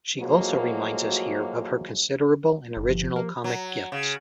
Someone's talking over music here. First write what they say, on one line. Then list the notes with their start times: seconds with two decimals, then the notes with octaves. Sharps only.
She also reminds us here of her considerable and original comic gifts.
0.19 A2 F3 F#3 G#3 A#3 F#4
2.77 G1
2.89 F3 G4
3.16 A#3
3.44 F#3
3.92 C#3